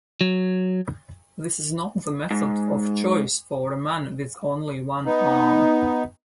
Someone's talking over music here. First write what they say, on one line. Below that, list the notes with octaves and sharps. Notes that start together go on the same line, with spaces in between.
This is not the method of choice for a man with only one arm.
F#3
G#2
B3 D#4